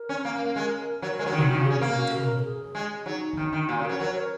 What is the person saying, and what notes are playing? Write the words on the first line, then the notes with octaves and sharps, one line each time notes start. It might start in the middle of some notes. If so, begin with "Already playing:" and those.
Then I went home.
Already playing: A#4
C#4
A#3
A#3
A#3
G#3
F#3
C#5
G#3 A#4
F#3
D#3 F#4
F#3 D#4
D#3 F#4
C#3
C#4 G#4
A#3 A#4
F#4
A#4
A#4
A#4
G#4
G#3
F#3 D#4
D#3
D#3
A#2 F#4
C#3
A#4
F#3
F#3 A#4
C#5
A#4